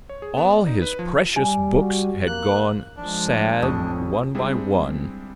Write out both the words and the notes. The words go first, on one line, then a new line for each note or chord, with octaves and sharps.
All his precious books had gone, sad one by one.
C#5
G#4
B3
D5
D#4
B4
F3
G3 G#5
F#4
A#3 F#6
F3 G#3 D4
A1 F2 C#6 D#6
G3 G#3 C4 D4 E4 G#4